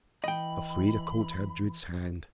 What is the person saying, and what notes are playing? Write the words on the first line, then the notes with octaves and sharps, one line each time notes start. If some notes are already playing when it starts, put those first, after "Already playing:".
Elfrida caught Edred's hand.
E3 D#5 G5 B5